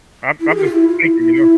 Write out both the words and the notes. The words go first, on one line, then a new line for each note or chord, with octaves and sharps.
I'm I'm just thinking, you know?
E4
G#4
G4
F4
E4
F4
E4
E4
E4